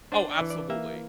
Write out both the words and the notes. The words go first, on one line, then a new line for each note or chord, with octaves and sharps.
Oh, absolutely.
D4 C5
D5
E3
D5
A#3 E5